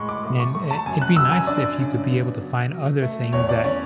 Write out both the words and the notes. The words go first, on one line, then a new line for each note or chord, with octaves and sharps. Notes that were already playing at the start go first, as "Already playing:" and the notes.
And i it'd be nice if you could be able to find other things that
Already playing: A2 G#3 B5 C#6
D6
A3 D6
C#6
A3 C#6
A5
F#2 G#5
F#6
F#2 E6
G#5
D4 D5
C#3
B3
F#3
F#3
A3
E2 C#5
D5
C#4 C#5